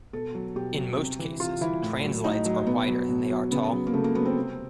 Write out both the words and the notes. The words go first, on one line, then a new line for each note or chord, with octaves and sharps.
In most cases, translites are wider than they are tall.
B2 A4
F#3
B2 G4
F#3
C3
E3
C3 F4
E3 E4
A2
F#3
A2 D#4
F#3
B2 B3
F#3
B2
F#3
C#3 B3
F#3
A#3
C#3 A3
A#3
F#3 B3
C4
C3